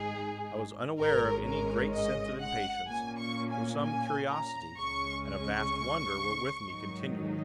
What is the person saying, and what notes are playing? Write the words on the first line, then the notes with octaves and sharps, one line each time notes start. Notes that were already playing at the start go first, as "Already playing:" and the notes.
I was unaware of any great sense of impatience; though some curiosity and a vast wonder were with me continually.
Already playing: G#1 G#2 G#3 D#4 G#4
G#1 G#2 G#3 C#4 A#4
A#4
D#5
F#5
A#2 A#3 C#4 G#5
C#6
G#5
G#5
A#5
C#2 C#3 G#3 C#4 C#6
C#6
G#2 D#3 F#3 D#4